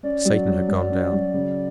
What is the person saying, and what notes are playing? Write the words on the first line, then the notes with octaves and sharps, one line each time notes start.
Satan had gone down.
C#4 D5
F#3
F#3
F#3
C#4
F#3
C#3